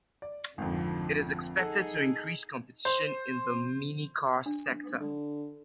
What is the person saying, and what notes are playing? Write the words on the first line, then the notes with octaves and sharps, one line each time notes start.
It is expected to increase competition in the minicar sector.
D5
G#1 F2 D3 F3
D#4 G#4 A4 F#5
C5
D4
D3